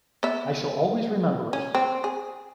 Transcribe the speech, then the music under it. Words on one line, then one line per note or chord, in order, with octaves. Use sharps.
I shall always remember it.
B3 E5
C#4
C4
G#4